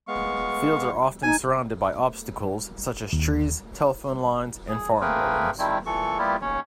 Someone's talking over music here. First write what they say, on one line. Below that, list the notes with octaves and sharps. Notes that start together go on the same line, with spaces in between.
Fields are often surrounded by obstacles such as trees, telephone lines, and farm buildings.
G#3 B3 F5 C#6
D#4 G#5
D#2
G#4
A3 A#3 C4 G#4 A#4 B4
D#3 F3 G3 C4 E4
A#2 E3 A4 C#6
G3 A#3 B3 E4 F4 G4
D#2 C#4 C#5